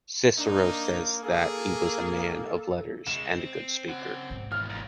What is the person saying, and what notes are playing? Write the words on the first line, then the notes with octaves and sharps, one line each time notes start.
Cicero says that he was a man of letters and a good speaker.
A#3 D4 D#4
A#3 G#4 A4
C#3 G#3 E7
C4
C#3 F#5
G#1
B2 D#3 E3 F6
D#2